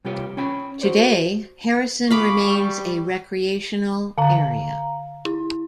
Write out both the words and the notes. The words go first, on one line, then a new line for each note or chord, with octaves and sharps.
Today, Harrison remains a recreational area.
C3 G3 F4 G4 B4 C#5
C#4 C#5 G5 B5
F#4 C5 D5
G#4 F5 B5 C#6 D6
G3
D3 F5 A#5
E4